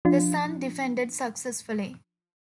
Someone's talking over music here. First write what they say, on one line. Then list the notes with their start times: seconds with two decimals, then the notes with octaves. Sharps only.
The son defended successfully.
0.05 F3 D4 F4